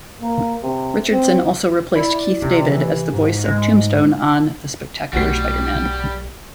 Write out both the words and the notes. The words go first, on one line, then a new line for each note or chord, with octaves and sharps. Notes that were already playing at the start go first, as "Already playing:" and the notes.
Richardson also replaced Keith David as the voice of Tombstone on "The Spectacular Spider-Man".
A#3
C3
C4
E4 D5
C3
E3
G#2
G#3
B1 G3 A3 F#4 C7